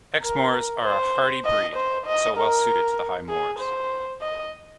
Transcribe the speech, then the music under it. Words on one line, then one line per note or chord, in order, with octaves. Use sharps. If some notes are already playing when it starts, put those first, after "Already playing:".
Exmoors are a hardy breed, so well suited to the high moors.
A#4
C5
D#5
C5
D#5
A#4
G#4
C5
D#5